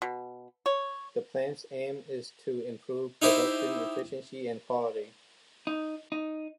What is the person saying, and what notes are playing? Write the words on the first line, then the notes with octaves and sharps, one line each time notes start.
The plan's aim is to improve production efficiency and quality.
B2
C#5
D#4 E4 G4 C5
D#4
D#4